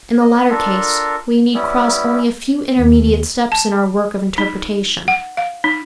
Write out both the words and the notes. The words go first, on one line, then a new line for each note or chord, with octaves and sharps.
In the latter case we need cross only a few intermediate steps in our work of interpretation.
D#5
D4 F4 A4 A#4
G3 B3 C#4 E4
D#2
A5
D#4
F#5
F5
D#4